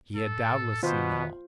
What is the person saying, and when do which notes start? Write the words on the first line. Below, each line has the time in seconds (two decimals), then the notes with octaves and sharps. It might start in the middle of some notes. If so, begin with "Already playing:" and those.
He had doubtless seen all.
0.16 A2 A4
0.83 B2 D#3 B3 F4 C5